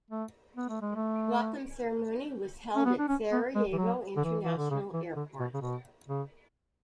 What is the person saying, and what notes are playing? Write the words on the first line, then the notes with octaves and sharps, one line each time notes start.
Welcome ceremony was held at Sarajevo International Airport.
A3
B3
A3
G#3
A3
C#4
B3
D4
C#4
B3
G#3
E3
F#3
D3
E3
E3
D3
C#3
E3
D3
B2
C#3
B2
C#3